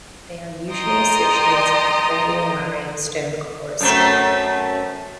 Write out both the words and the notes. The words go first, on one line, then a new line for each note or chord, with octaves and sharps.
They are usually associated with radiolarian stone cores.
D#5 G5 A5 A#5 C6 D#6
F#2 A3 C4